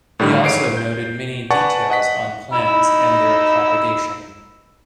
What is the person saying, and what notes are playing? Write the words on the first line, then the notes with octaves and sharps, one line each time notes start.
He also noted many details on plants and their propagation.
A2 D3 D#3 G3
G#2 C#5 C7 D7
G6
B4 D5 F#5 G#5 A5 C#6
D#5 F#5 B6
D#4 B5 E6